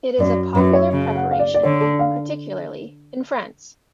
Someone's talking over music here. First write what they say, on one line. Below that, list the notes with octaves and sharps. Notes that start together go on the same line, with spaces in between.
It is a popular preparation, particularly in France.
F#2 D5
F#2 B4
C#5
C#3
F#5
F5
D5
D5
D3 C#5
A4
F5